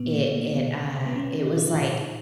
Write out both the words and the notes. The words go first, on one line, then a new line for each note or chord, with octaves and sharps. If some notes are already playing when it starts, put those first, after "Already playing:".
it it, uh, it was like
Already playing: A#2 B3
A#3
A#2
A#3
B2 B3
B2
B3
B2 C#4
B2 D#4
F4
D#4
A#2